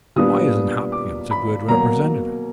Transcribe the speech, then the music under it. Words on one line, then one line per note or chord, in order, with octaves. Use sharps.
"Why isn't Hopkins a good Representative?"
A#2 G3 B3 D4 D#6
D6
B5
B2 F#3 A#3 A#5